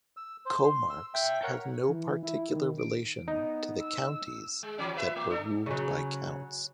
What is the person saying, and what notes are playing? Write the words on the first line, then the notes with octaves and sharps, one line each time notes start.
Comarques have no particular relation to the "counties" that were ruled by counts.
E6
C5
C6
E6
E5 G5
A#4 C#5 F#5
E3
E4
D#3
D7
B3 D#4
E6
G#3
E3 F#3 C#4
F4 B4 E5
A3
D4 A4
C#3 F#3